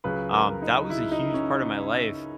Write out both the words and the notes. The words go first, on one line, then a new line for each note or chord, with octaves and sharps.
um, that was a huge part of my life,
C#2 C#3 F#3 B4
A#4
D#4
E4
D#4
C#4